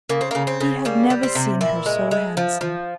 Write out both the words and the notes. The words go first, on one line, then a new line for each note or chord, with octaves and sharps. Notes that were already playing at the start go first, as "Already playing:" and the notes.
He had never seen her so handsome.
C#3 A#3
C4
C#3 A#3
C4
C#3
G3 A#3
G3
C4
C3
A#2 E4
G#3
G#3
F3
F3